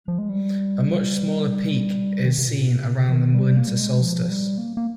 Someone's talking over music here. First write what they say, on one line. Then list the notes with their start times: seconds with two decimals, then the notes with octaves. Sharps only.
A much smaller peak is seen around the winter solstice.
0.08 F3
0.18 G#3
0.29 G3
2.25 D#3
2.38 C3
2.48 A#2
2.69 C3
2.90 C#3
3.09 F3
3.12 D#3
3.34 G3
3.57 A#3
3.68 G3
3.79 G#3
4.01 F3
4.30 G3
4.58 A#3
4.77 A#3